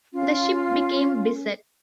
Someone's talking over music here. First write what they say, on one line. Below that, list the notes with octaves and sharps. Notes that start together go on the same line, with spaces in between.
The ship became beset.
C#4 F4